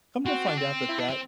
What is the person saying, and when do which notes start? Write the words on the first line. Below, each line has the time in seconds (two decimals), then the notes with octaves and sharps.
Come to find out that that
0.25 C4 F#4
0.47 D4
0.57 C4
0.89 E4
0.98 D4
1.10 C4